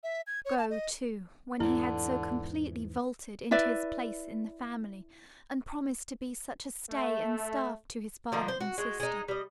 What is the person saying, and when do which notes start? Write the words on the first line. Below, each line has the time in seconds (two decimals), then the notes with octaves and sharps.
Go, too, when he had so completely vaulted into his place in the family, and promised to be such a stay and staff to his father and sister.
0.03 E5
0.27 G#6
0.45 C#5
0.58 A5
0.70 D#5
1.60 E2 G#2 D3 E3 E4
3.51 E4 B4 D5 E5
6.89 A3
8.32 D3 F3 A#3 D#4
8.48 C5
8.60 F#4
8.78 G#3 F#4
9.00 G#3 D#4
9.28 G3 D#5